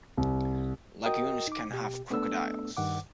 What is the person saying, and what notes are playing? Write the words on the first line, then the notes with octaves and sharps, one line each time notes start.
Lagoons can have crocodiles.
C2
F#4 A#4 D#5 G5 D#6
D#4 D6
B2 G4
A3 B3 D4 A4 E6
G2 D#3 F#5 D6